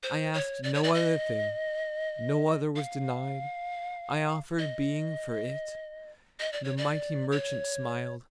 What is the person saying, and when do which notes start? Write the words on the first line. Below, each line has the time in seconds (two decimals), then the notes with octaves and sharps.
I asked no other thing, No other was denied. I offered Being for it; The mighty merchant smiled.
0.03 C5
0.34 C#5
0.63 D5
0.74 C#5
0.83 D5
0.94 D#5
2.76 F5
4.59 D#5
6.40 D#5
6.53 D5
6.64 C#5
6.77 D5
7.32 C#5